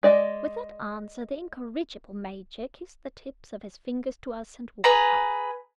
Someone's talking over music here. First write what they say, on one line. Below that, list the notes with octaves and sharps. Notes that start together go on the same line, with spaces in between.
With that answer the incorrigible Major kissed the tips of his fingers to us and walked out.
G#3 D5 D#5
G#4 B4 A#5